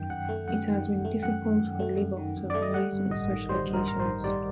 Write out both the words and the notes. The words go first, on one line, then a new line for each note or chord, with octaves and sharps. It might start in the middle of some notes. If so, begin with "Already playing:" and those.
It has been difficult for labor to organize in such locations.
Already playing: F#2 D#3 G5
F#2 F#5
A3
F#2 F#5
D#3
F#2
A3
F#2 F#5
D#3
F#2
A3
F#2
D#3
F#2
A3 D5
D#5
G3 F#5
G2
A1 D#5
D#3
G3 C5
G2
A#4
A1 A#4
C5
D#3
G3 D5